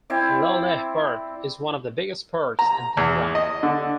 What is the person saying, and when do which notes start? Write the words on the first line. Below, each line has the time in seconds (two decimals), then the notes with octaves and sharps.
Laleh Park is one of the biggest parks in Tehran.
0.10 C4 E4 D5
2.59 A#5
2.97 E2
3.35 D#5
3.63 D3